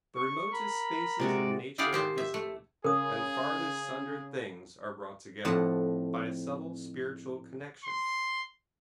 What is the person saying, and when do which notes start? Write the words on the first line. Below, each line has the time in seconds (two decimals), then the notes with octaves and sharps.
The remotest spaces of nature are visited, and the farthest sundered things are brought together, by a subtle spiritual connection.
0.16 C#6
0.53 A#4 B5
1.20 C3 G#3 F#4 D5
1.78 E4 G4 G#4 D5 F5 F#5
1.93 D#3 G4 C5
2.18 E5
2.34 A3
2.84 C#3 G#4 A#4 D#6
5.45 F2 A2 F#5 A5
7.84 C6